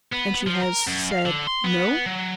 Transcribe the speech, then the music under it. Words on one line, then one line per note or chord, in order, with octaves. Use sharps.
"And she has said No?"
B3
F3
A#4
F#2
F5
D3
C6
B3
F#3